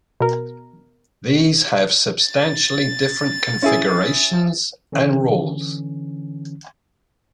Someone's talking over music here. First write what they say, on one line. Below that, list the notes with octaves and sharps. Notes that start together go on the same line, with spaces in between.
These have substantially different configurations and rules.
B2 A#4
A6
C#4 E4 G#4
D3 E3 C#4